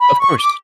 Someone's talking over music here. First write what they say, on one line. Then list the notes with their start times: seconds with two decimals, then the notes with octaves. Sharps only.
Of course,
0.01 B5
0.20 C#6
0.38 D6